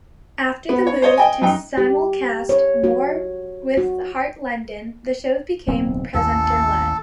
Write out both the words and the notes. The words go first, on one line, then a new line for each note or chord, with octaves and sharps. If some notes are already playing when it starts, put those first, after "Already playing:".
After the move to simulcast more with Heart London, the shows became presenter-led.
B3
C#5
C5 C#5 D#5
D#5 G5 G#5
F#2 D#4 G5
G4
C#5
F#4
F#4
D1 B1 C4
A1 D#2 A4